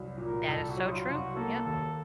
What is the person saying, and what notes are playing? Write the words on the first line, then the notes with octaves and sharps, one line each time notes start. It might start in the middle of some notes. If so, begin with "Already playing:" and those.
That is so true, yep.
Already playing: C2 F#3
A#2
A#4
C2 A4
F#4
F#3
D#4
F4
C2
F#4
A#3 A4
D#2 A4